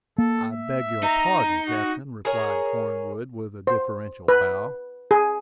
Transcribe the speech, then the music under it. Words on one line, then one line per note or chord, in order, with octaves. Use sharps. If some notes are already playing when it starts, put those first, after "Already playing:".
"I beg your pardon, captain," replied Cornwood with a deferential bow.
A#3 A4
E5
D#4 A#5
F#4
G#4 A#4 C#5
C5
B4
G#4